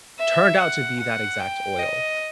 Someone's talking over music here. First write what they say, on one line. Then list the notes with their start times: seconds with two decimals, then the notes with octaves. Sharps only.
turned out to be that exact oil,
0.19 E5
0.59 F#5
1.00 F#5
1.39 G5
1.80 D#5